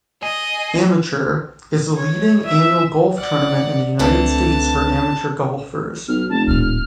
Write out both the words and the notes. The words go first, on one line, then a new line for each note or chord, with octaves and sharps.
Amateur, is the leading annual golf tournament in the United States for amateur golfers.
G#4 D#5
C#5
E5
D5 F#5
C#2 D3 E3 A3 C4 A5
B1 F6
F1 A5
D1 A#2 F6